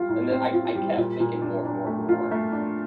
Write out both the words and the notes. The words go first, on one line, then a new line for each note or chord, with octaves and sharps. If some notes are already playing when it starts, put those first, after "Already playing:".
And then I I kept thinking more and more and more,
Already playing: G3 F4
A2
C4
F4
G3
A#2
A#2
D4
D4
A3
F4
A3
D4